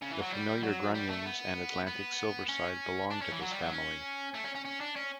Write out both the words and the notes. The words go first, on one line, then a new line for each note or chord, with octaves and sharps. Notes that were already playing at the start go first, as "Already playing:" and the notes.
The familiar grunions and Atlantic silverside belong to this family.
C#3
E3
F#3
G3
F#3
G3
A3
B3
B3
C#4
D4
C#4
E3
F#3
G3
F#3
C#4
A3
C#4
C#4
C#4
D4
C#4